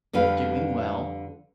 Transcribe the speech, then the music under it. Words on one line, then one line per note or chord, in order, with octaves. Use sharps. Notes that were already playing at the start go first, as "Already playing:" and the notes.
doing well,
F2 D3 G3 B4 F5